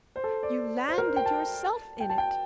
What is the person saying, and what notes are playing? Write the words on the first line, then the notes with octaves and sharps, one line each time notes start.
You landed yourself in it.
C5
A4
D5
C5
A#4
C5
G5
A5
G5
A5
G5